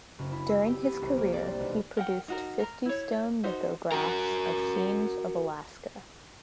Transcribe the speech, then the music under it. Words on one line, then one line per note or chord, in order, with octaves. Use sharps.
During his career, he produced fifty stone lithographs of scenes of Alaska.
F#1
E4
E6
G4
B3
C2
A#3
D5
C4
B1
A#4 F#5 G5
D#4 F#4 A#4
A#4 A#5
E4 C#5
D#4 F#4 C5 E5
F#4 A#4